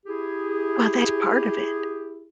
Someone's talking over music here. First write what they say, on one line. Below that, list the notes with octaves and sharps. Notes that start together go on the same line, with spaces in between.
Well, that's part of it.
E4 G4 G#4